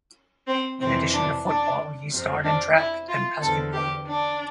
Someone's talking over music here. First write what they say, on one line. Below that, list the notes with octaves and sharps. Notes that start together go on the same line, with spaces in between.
In addition to football, he starred in track and basketball.
C4
F2 C3 E3 C4
D4
D4
F2 C3 F3
D4
E4
F4
E2 D3 F3 A4
G4
D4